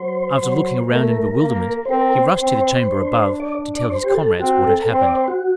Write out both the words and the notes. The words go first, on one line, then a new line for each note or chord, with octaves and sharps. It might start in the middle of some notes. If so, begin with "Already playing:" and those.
After looking around in bewilderment, he rushed to the chamber above, to tell his comrades what had happened.
Already playing: F#3 C5
F#3
A3 A#4
A#3
C5
C4 A#4
C5
C4 C5
D4
D5
D5
C5
G4
A4
C4 F#4
A4
C4 C5
D5
C5
F#4